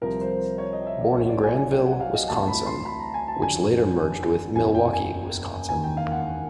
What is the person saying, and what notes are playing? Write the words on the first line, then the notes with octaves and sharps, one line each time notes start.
Born in Granville, Wisconsin which later merged with Milwaukee, Wisconsin.
C2 C3 F3 A#4
C5
C#5
D#5
E5
D5
B1 B2 F#3 C#5
D5
G#5
G#5
G5
F#5
F5
D#5
D2 C3 E3 A5
B5
C6
B5
A#5
G#5
A5
F#1 F2 D3 G#5
F#1 E2 B2 G#5
G5
G#5
E1 D#2 D#3 G#5
G5
F5
F#5